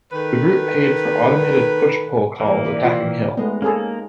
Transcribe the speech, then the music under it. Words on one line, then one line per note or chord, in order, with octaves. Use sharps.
The group paid for automated "push poll" calls attacking Hill.
D#3 A4 B4
E3 A#3
B4 D5
F4 C5 G5 A#5
G#3 A3 B3 D#4
A#3 C#4 G#4 A4